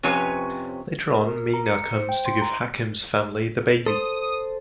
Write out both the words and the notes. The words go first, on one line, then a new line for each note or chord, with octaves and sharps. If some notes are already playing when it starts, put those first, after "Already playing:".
Later on, Meena comes to give Hakim's family the baby.
F2 C3 C#4 B4 C#5 G#5
A#4
A#4
A#5
C#7
C5
G5
C6
A#5
A4 C5 D#6